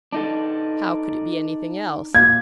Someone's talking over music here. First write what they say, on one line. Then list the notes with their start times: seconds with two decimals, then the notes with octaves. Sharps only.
How could it be anything else!
0.13 D4 D#4 A4
2.15 A#2 G#6